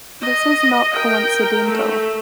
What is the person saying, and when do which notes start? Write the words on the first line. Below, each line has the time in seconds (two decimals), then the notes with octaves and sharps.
This is not coincidental.
0.21 D#5
0.94 A#4 G5
1.63 A3